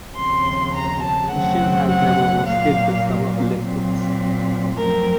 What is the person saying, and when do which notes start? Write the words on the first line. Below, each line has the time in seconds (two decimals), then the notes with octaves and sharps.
The nation has never hosted the Summer Olympics.
0.15 D#2 C#3 F3 C4 C6
0.73 A#5
1.02 A5
1.30 F#2 C#3 F#3 A3 C4 F#5
1.88 F#5
2.46 A#2 F#3 A#3 F5
3.61 A#2 F#3 C4
4.76 F#2 F3 A3 C4 A#4